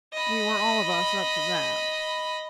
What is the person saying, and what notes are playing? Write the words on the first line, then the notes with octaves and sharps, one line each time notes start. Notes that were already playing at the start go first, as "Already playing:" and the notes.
We were all of us up to that.
D#5 B5